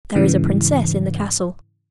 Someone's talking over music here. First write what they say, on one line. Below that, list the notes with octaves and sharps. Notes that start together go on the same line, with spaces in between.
'There is a princess in the castle.
G#2 C#3 E3